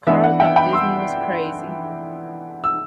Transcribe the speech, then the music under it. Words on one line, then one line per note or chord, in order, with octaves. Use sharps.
Carl thought Disney was crazy.
E3 B3 D4 E5
F#5
E5 G5
G5 B5
C6 E6
E6